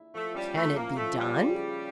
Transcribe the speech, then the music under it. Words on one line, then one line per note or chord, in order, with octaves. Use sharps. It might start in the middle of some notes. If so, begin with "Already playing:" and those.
"Can it be done?"
Already playing: E4
F3 A3
G3 C#4
F3 A3
A#3 E4
F3 A3
G3 C#4
C#3
C#4